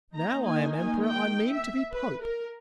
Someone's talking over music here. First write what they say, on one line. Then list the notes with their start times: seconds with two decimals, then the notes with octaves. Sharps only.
Now I am emperor, I mean to be pope!
0.15 D#3 A#3 D#4 A#5
0.45 G#5
0.74 G#5
1.04 G5
1.49 E5
1.93 B4
2.23 A#4